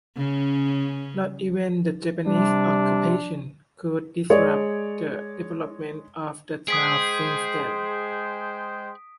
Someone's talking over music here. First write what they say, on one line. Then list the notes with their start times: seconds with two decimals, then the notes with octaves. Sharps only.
Not even the Japanese occupation could disrupt the development of the town since then.
0.16 C#3 C#4
2.27 C3 G3 D4
4.30 G#3 C#5 D5
6.68 G#3 G#4 C5 G5 D#6 B6 D7